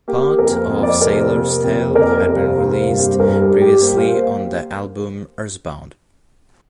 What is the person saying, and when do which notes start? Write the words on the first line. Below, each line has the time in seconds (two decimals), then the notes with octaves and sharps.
Part of "Sailor's Tale" had been released previously on the album "Earthbound".
0.08 A#3 G4
0.39 F2 A#4
0.70 F2
0.83 D5
0.93 C5
1.02 C3 A#4
1.32 A#3
1.64 F2
1.95 F2 A#4 D5
2.26 C3
2.36 C5 F5
2.57 A#3 C5 F5
2.88 G2
2.98 G4 C5
3.20 G2 A#4
3.41 G4
3.51 G3
3.61 G4
3.82 A#3 G4 C5
3.98 C5 F5